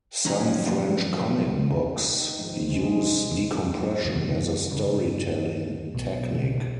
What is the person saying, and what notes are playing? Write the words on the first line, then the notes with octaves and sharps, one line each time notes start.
Some French comic books use decompression as a storytelling technique.
F2 D#3 F#3 C#4 A#5
D#3
D#1 A#1 G#2
C3 G#3
C#3
F#2 C3 D#3
G2 C#3
B1 B2